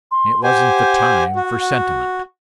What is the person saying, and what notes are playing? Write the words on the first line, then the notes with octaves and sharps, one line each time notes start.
"It wasn't the time for sentiment."
C6
G4 C5 F#5 G#5
F#4